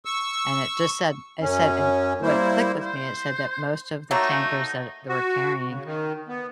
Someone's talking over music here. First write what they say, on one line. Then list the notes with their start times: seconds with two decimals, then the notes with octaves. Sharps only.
and it just said it said and what clicked with me, it said that most of the tankers that they were carrying
0.05 C#6 E6
1.41 F#2 C#4
2.22 G3 A#3 E4 C5
2.82 C5
4.11 F#3 A3 A#3 D#4
5.09 F#4
5.68 C#3
5.85 D#3
6.28 B3